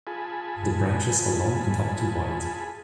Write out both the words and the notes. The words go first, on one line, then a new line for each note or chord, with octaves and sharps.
The branches are long and up to wide.
F4 G#4 G#5 A5 B5